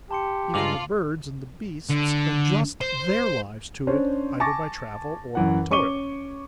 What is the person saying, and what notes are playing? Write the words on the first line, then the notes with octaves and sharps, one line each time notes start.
Even the birds and the beasts adjust their lives to it either by travel or by toil.
G4 A5 C6 C#7
G2 G#3 F4 A#5 D6 F7 F#7
D3
C5
C#4 D4 C5
G#5 A5 C#6 D6 A6 A#6
F#2 E3 F#5
C#4 C#6 D6 D#7 G7